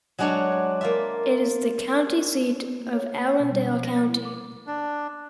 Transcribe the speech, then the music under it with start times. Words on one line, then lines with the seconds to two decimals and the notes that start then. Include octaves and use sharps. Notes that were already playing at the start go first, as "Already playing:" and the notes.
It is the county seat of Allendale County.
0.19 F#3 G#3 D4 F#4 C#5
0.81 A#3 F4 E5
2.80 A#3
2.93 C#5
3.13 A#3
3.25 C#5
3.40 B2
3.52 G3
3.72 F3
3.85 A#6
3.96 A6
4.09 E4
4.25 D6
4.67 D4